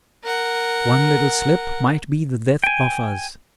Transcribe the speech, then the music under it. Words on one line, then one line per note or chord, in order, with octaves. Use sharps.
One little slip might be the death of us.
A#4 F#5
G5 G#5